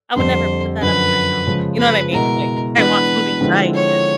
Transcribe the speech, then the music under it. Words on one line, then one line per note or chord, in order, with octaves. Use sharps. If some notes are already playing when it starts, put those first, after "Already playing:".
I would never put that up in my house," you know what I mean? Like, I want something bright and
F2 D3 G3 C5
F#2 D3 F3 B4
C#3 F3 G#3
B4
B2 G#3 B3 E4 A#4
E3 G#3 B3 D4 B4
D3 F3 G#3 C4 E4
C#5